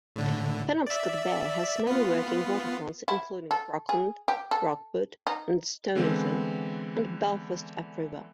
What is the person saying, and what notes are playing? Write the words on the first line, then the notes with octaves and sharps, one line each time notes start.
Penobscot Bay has many working waterfronts including Rockland, Rockport, and Stonington, and Belfast upriver.
A2 D3
D5 E5
B3 F4
E4
A4
G#4
G4
A4
D#4
D3 E3 G#3 B3 C4